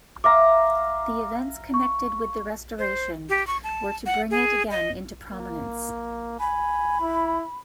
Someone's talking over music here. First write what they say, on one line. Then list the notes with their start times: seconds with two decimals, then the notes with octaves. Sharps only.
The events connected with the restoration were to bring it again into prominence.
0.24 E5 F5 A#5 D6
1.74 C#6
2.79 C5
3.29 G4
3.47 C#6
3.64 A5
4.06 F#5
4.31 G#4
4.71 D#5
5.30 A#3
6.40 G#5 B5
7.01 E4